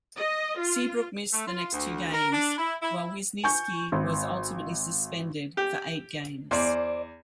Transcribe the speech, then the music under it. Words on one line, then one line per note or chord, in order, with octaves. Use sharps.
Seabrook missed the next two games, while Wisniewski was ultimately suspended for eight games.
D#5
F4
A3
F4
D2
A#4
D4
E4
E4
E4
G#5 C#6 G6
G#1
G4
E2 C5 D5